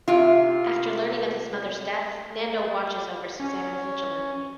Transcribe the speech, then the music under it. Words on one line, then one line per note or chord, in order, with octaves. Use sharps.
After learning of his mother's death, Nando watches over Susana vigilantly.
C3 E4 F4 B4 E5
C#4